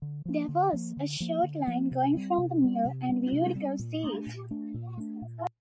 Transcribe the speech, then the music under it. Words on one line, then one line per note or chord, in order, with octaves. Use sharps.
There was a short line going from the mill and we'd go see it.
D3
F3 A#3
D3
F3 A#3
D3
F3 A#3
D3
F3 A#3
C3
G3 C4
C3
G3 C4
C3
G3 C4
C3
G3 C4
A#2
A3 D4
A#2
A3 D4
A#2
A3 D4
A#2